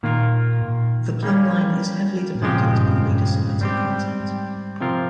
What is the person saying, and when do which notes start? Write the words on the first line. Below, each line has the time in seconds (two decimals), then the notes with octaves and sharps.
The Plumbline is heavily dependent on reader-submitted content.
0.03 A#2 D#3 A#3 F4 A#4
0.62 A#2
1.23 G3 A#3 C#4
2.35 A#2
2.42 G#2 C#3 F3 G#3 C4 G4
2.51 A#2
2.56 G#2
2.71 G2
2.87 F2
3.02 G2
3.50 G2
3.61 G#2 G3 C4 G4
4.21 G#2
4.81 C3 F3 C4 F4 A#4